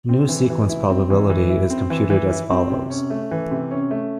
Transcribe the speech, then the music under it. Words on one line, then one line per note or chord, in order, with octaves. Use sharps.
New sequence probability is computed as follows.
C4
E3
E3
E4
C4
E3
E3
E4
C4
E3
E3
E4
C4
C3
C#4
A3
E3
C3
C#4
A3